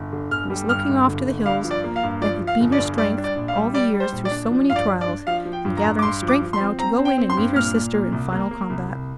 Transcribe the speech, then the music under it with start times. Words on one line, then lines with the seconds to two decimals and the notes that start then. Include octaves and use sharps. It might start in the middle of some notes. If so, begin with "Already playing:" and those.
She was looking off to the hills that had been her strength all the years through so many trials, and gathering strength now to go in and meet her sister in final combat.
Already playing: G1
0.13 D3
0.31 G1 F6
0.50 G3
0.69 G2 F6
0.89 G1
1.07 D3
1.26 G1
1.46 G2 F5
1.64 F3
1.71 D5
1.84 A#3
1.96 F5
2.03 G2
2.21 F3 D5
2.41 F3
2.47 F5
2.60 G1
2.72 D5
2.79 G2
2.98 G3 D5
3.18 D4
3.24 D5
3.36 A#1
3.48 F5
3.55 G3
3.74 G3 D5
3.94 G3
4.00 C5
4.12 A#1
4.25 D5
4.31 D4
4.51 F3
4.70 G2 F5
4.76 D5
4.88 D4
5.01 D5
5.08 D4
5.27 F3 F5
5.45 F3
5.53 G5
5.65 G2
5.77 A#5
5.83 G2
5.99 D6
6.02 G2 C6
6.22 F3
6.28 D6
6.42 F3
6.53 C6
6.60 C4
6.79 C4 A#5
6.99 C4
7.05 G5
7.18 C4
7.30 C6
7.37 G2
7.55 A#2 F6
7.75 A#2
7.94 A#2
8.12 C2
8.32 A#3
8.51 A#3
8.70 C2
8.89 C2